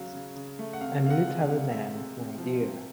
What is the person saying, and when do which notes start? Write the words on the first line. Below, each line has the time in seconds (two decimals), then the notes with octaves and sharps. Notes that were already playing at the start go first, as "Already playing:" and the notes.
A military man, my dear.
Already playing: C#3 F#3 F5
0.13 C#3
0.35 C#3
0.59 A3
0.73 F#5
0.81 C3 F5
1.04 C3 F5
1.10 F#5
1.25 G#3
1.42 F5
1.48 C3
1.71 G#3 E5
1.94 C3
2.17 C3
2.38 F3
2.60 C3